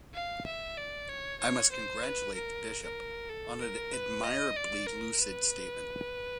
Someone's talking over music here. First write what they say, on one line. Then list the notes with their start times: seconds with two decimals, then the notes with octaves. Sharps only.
I must congratulate the bishop on an admirably lucid statement.
0.14 F5
0.46 E5
0.77 D5
1.09 C#5
1.40 C#5
1.72 C5
2.03 B4
2.34 A#4
2.83 A#4
3.30 A4
3.61 A#4
3.93 B4
4.24 D#5
4.56 D5
4.87 A#4
5.19 B4